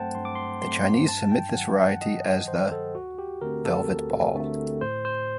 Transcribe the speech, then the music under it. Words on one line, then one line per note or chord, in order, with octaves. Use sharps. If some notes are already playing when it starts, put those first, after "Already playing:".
The Chinese submit this variety as the "Velvet ball".
Already playing: G2 F#3 A3 C4 C5 F#5 G5 A5
G2 C6
D6
C6
F#3 A3 C4 C6
G2 A5
G5
D#3 F#3 F#5
F#5
G2 D#5
D#3 F#3 C5
A4
D2 F#4
G4
D3 A3 C4 A#4
A4
D2
D3 A3 C4
A2 C5
C5